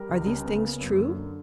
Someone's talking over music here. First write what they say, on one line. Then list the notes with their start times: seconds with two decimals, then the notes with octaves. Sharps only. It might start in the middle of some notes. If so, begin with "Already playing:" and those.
"Are these things true?"
Already playing: G3 A#4
0.09 C#2
0.27 C#3
0.44 B3
0.63 A#3
0.80 F#2
0.99 D3